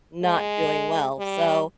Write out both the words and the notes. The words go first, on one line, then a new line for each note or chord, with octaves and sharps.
not doing well, so
G#3
G3